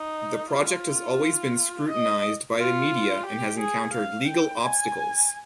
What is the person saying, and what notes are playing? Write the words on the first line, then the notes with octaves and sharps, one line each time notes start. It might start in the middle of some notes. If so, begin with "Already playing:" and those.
The project has always been scrutinized by the media and has encountered legal obstacles.
Already playing: D#4
F4
D#5
F4
G4
G#4
F5
G5
G#5